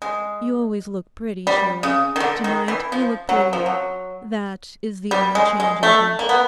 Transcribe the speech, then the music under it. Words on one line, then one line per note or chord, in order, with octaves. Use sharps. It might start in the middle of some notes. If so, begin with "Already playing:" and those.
'You always look pretty, Sheila; to-night you look prettier: THAT is the only change, I think.'
G#3
G3
C#3
D#3
D3
D#3
E3
F3
F#3
F3
F#3
G3
G#3
G#3
A3
A#3
B3